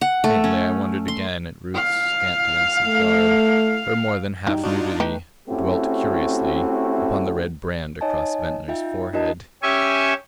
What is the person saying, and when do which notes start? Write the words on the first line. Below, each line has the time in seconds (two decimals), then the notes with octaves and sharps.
Faintly I wondered again at Ruth's scantiness of garb, her more than half nudity; dwelt curiously upon the red brand across Ventnor's forehead.
0.01 F#5
0.24 A3
0.44 C#4
1.08 C6
1.74 F5
2.86 A3
4.47 G2 F#3 D#4 G5
4.64 D4 D#4 F4 F#4
5.00 A3 D#4 G4 B4 G5
5.48 A3 C4 C#4 E4 F#4 G4
8.01 D#4 C#5 D#5 G#5 A5
8.68 D#4 F4 E5 G5
9.13 D4 E4 F#4 A#4 D#5 A5
9.63 C#4 G4 E5 G#5 C#6